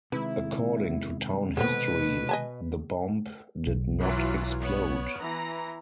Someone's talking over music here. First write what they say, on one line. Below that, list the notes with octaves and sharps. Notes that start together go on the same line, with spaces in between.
According to town history the bomb did not explode.
C3 D#3 G#3 E4 B4
B2 B3 C4 A4 B4
D#5 G#5 A5
B1
E3 F#3 F4
B3 C#5
E3 A#5